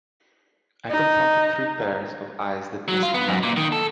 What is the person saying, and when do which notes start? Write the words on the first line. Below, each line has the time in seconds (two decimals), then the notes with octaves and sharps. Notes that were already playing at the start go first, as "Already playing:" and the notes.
I confronted three pairs of eyes that missed nothing.
0.90 D#4
2.88 F#3
3.03 F4
3.14 B3
3.28 F#2
3.43 A#2
3.57 D#3
3.72 A4